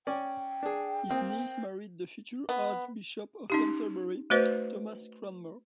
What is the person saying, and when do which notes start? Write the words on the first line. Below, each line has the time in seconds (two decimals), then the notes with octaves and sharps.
His niece married the future Archbishop of Canterbury, Thomas Cranmer.
0.07 C#4 D5 G5 G#5
0.63 D4 G#4
1.09 A#3 C4 D#6
2.49 B3
3.50 C#4 D#4 G4
4.30 A3 F#4 B4 C5 D#5